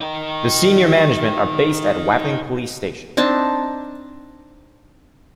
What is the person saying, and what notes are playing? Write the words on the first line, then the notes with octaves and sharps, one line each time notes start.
The senior management are based at Wapping police station.
D#4 A#4
C4 D4 D#4 A5